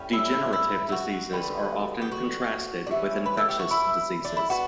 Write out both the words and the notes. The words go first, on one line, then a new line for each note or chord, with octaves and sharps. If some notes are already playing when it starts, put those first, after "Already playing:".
Degenerative diseases are often contrasted with infectious diseases.
Already playing: A2 G3 C#4
E4
E4
E4
F#4
D3 G3 B3
G4
F#4
D4
E3 G3 C#4 E4
B4
A4
G4
F#4
E4
D4
E4
B3 D4 F#4